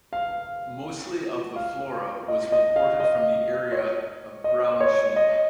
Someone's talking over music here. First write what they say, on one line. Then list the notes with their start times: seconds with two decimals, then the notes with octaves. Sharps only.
Mostly of the flora was reported from the area of Braunschweig.
0.13 F5
1.56 F5
2.28 D#5
2.52 D#5
2.76 F5
3.00 D#5
3.72 C#5
4.44 D#5
4.81 C#5
5.16 D#5